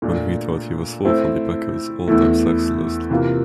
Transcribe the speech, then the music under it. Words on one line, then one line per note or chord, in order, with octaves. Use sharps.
When he retired, he was fourth on the Packers' all-time sacks list.
A#2 A3 D4
A3 C4 E4
E2 E3 A3 E4
C3 E3 A#3 F4 A#4